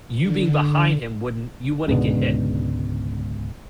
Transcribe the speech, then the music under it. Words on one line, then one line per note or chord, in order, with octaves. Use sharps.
you being behind him wouldn't you wouldn't get hit,
D3
C#2 G#2 B2 D3